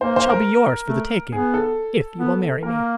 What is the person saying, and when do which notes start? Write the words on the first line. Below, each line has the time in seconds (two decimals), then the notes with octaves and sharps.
It shall be yours for the taking--if you will marry me.
0.01 A#3 C5
0.16 C5
0.30 A#4
0.88 A3
1.32 B3 G#4
1.54 A4
2.19 B3
2.63 A#3 A#4